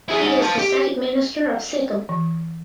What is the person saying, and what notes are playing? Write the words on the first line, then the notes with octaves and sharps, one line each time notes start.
He is the State Minister of Sikkim.
E4 G#4
G#2 D#4
F5 A5
G4
E3